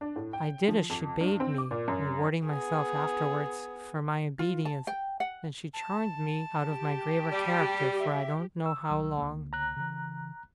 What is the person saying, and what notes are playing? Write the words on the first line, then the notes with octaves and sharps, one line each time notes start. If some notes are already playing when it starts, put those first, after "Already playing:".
I did as she bade me--rewarding myself afterwards for my obedience--and she charmed me out of my graver character for I don't know how long.
D4
A2
G5
F3
F2
G2
C4
D6
A#2
F#2
B3 G#4
F4
A5
G5
F#5
A5
G4
G3
E5
E6
C2 F#3
C#2 D3 A#3
A#5 F#6
C#3 E3